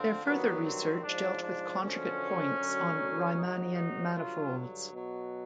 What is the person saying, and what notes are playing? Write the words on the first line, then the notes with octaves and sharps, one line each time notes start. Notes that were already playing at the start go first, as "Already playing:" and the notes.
Their further research dealt with conjugate points on Riemannian manifolds.
Already playing: D3 F3 C4
G2 D#3 F#3 B3
C4
G#2 F3 D4
D4
F#2 D3 F3 C#4
F#2 D3 F#3
F#2 C#3 F#3 D#4
D#4
G2 D3 F#3 F4
B2 F#3